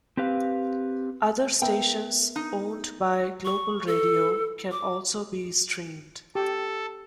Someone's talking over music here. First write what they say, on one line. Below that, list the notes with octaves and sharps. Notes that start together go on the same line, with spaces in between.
Other stations owned by Global Radio can also be streamed.
C4 G4 B4 F5
B3 A#4 E5 G5
D#4
C#6
A4
D6
G4 A4